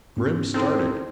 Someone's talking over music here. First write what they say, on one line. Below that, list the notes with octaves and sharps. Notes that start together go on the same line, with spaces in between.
Grim started.
G#2 B3 C#4
C4 D#4 E4 A4